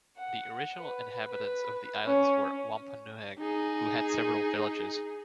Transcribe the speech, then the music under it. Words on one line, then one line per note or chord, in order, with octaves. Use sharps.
The original inhabitants of the islands were Wampanoag, who had several villages.
F#5
B4
B4
C#4
D#4 G#4